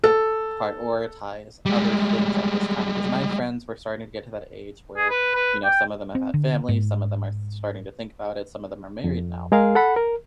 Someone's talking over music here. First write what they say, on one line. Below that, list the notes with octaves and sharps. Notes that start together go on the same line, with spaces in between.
prioritize other things at this time. 'Cause my friends were starting to get to that age where, you know, some of them have had families, some of them are sh starting to think about it, some of them are married now.
A4
G3 G#3
G#4
B4
B4
G5
C4
D3
G#2
F2
G#3 G#4 A#4 F5
A4 F#5 B5
A#4